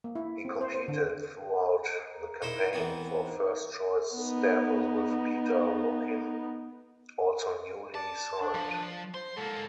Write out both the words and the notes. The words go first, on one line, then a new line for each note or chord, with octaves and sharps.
He competed throughout the campaign for first-choice status with Peter Luccin, also newly signed.
A#3
E4
C4
C5
C5
D3
A#4
D#4 E4 C5
E3 B3 C4
D#4 A#4 C5
B3 D#4
D5 A5
D4
F3
C5 C6
G#2 A#3 A4